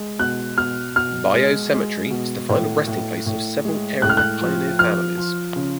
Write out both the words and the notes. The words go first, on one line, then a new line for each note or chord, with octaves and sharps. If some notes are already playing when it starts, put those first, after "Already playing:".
Bayou Cemetery is the final resting place of several area pioneer families.
Already playing: G#3
B2 F#6
B2 F6
B2 F6
G#3
G#3
B2
A2
A2
A2
G#3
A2 F#6
F6
F#6
F3
F3 F6
F3
C#3